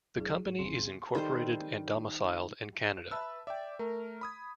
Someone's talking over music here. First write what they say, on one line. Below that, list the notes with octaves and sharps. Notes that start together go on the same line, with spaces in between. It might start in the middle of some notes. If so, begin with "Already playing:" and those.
The Company is incorporated and domiciled in Canada.
F1 F#3 D4 E4 G#4
G#2
G1 E2 C#3 F3 C4 C6
D#3 G3 A4 C5
B4 E5 A5 E6
D5 E5 G5
A3 A#4
B5 D#6 G#6